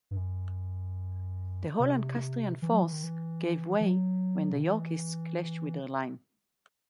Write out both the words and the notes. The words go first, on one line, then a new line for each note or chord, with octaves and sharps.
The whole Lancastrian force gave way when the Yorkists clashed with their line.
G2
F#2
C3
E3
F#3
E3
D#3
E3
E3
F#3
C3
D#3
E3